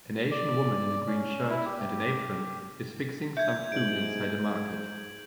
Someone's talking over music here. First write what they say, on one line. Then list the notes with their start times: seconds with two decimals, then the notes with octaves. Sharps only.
An asian woman in a green shirt and an apron is fixing some food inside a market.
0.31 D5
1.07 C#4
1.49 E4
1.65 G4
3.37 E5 G6 G#6
3.72 G#2 D7 F#7